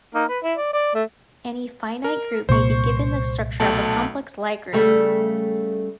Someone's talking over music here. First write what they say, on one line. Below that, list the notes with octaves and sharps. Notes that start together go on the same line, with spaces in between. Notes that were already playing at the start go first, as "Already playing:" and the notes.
Any finite group may be given the structure of a complex Lie group.
A#3 D#4 A#4
B4
E4
D5
D5
A3 E5
A#4
C2 A#2 A#3 C5 C#6
B1 A3 A5
C#3 G3 A3